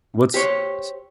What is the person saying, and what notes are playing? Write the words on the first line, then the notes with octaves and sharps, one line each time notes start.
What's s
G4 C5 C#5